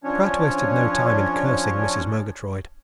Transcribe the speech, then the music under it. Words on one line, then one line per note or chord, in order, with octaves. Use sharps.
Pratt wasted no time in cursing Mrs. Murgatroyd.
F3 C#4 D4 C#5